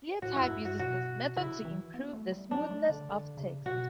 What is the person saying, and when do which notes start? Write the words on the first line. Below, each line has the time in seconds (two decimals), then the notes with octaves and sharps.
ClearType uses this method to improve the smoothness of text.
0.22 A2 F#4
0.36 F#2 E4
0.51 G2
0.65 F#4
0.79 B2 F#4
1.37 C#3 E4
1.65 E3
1.94 B3
2.13 A3
2.32 G3
2.51 F#3 D4
2.70 A3
2.90 D3
3.09 D3
3.37 C#3
3.66 B2 F#4